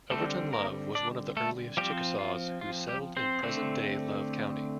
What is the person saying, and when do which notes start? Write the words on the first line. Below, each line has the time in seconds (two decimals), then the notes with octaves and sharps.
Overton Love was one of the earliest Chickasaws who settled in present-day Love County.
0.11 D3 G3 A3 C4 A4
0.53 A#3 A#4
0.95 D4 D5
1.37 A3 A4
1.77 F3 G3 C4 G4
2.19 F4
2.61 F4
2.88 G3 G4
3.17 C4 C5
3.43 D3 A3 C4